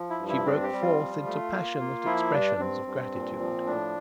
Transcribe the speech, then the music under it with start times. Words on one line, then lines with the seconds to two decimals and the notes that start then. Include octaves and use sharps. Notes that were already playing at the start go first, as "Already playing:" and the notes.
She broke forth into passionate expressions of gratitude.
Already playing: F3
0.10 E4
0.19 G2
0.28 E4
0.45 C4 D4
0.63 G4
0.73 G3
0.81 F4
0.99 F3
1.26 A3
1.53 A#3
1.80 A#3
2.06 F3 E4
2.33 G2 D4
2.59 G2 C4
2.86 G2
3.13 A#2
3.40 F3
3.66 A2 D4